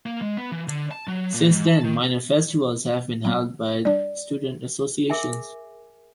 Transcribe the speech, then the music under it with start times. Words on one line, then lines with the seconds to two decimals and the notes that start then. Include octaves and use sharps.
Since then minor festivals have been held by student associations.
0.06 A#3
0.22 G#3
0.37 B3
0.52 E3
0.68 D3
0.91 A5
1.07 F#3
1.34 A#2
1.50 G#2
1.67 A5
1.84 D#3
3.25 F#3 B3
3.85 G3 D4 D5
5.10 G#4 A#4 E5 G#5